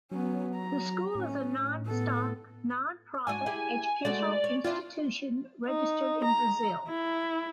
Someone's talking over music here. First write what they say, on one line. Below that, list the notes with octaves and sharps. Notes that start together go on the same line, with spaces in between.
The school is a non-stock, non-profit educational institution registered in Brazil.
F#3 B3 C#4
A#5
A2 C#4
B3 A4
G#2 D4 F#4 G#5
E4 G4 G#4
G#3 A3 F#4 D5
C#5
C4 D4 E4 F4
D#4
A#5
E4